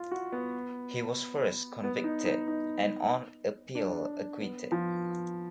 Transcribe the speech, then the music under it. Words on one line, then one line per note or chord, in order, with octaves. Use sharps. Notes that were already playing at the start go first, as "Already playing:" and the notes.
He was first convicted and on appeal acquitted.
Already playing: F4
F#4
B3
B3
D#4
D#4
D#4
D4
B3
F3